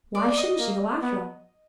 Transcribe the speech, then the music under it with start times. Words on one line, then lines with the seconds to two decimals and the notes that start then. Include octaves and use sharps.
Why shouldn't she go, after all?
0.15 G#3 D5
0.37 D#5
0.59 A#3
1.02 B3